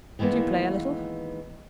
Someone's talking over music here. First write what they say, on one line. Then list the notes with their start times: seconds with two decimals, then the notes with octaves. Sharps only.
"Do you play a little?"
0.19 D#3 E3 G#3 A#3 B3